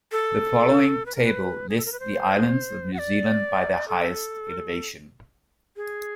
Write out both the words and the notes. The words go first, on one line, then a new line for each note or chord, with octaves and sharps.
The following table lists the islands of New Zealand by their highest elevation.
A4
B4
A#4
B4
G#4
A4
A#4
B4
C5
F#5
D5
A4
G#4